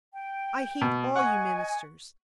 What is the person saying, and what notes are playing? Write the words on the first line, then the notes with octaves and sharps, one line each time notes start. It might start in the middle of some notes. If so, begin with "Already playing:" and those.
I hate all you ministers.
G5
B2
D#5 F#5 G#5 C#6